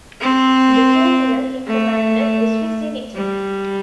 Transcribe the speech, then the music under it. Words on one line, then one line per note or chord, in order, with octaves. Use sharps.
In the same year he commanded the Swiss in Italy.
C4
A3
G3